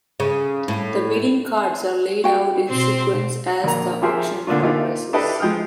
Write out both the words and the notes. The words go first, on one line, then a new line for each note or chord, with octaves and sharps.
The bidding cards are laid out in sequence as the auction progresses.
C#3
A2
F#4 G5
B2 C4 C5
A#1 A#3 A#5
F3 G4 G#4 A#4 C5 E5
A#2 D3 A#3 D4 F4
A#3 D#4 F4 G4 D5 E5
D4 E4 G4 A4 B4 D#5
F3 G#3 G5 D#6 F6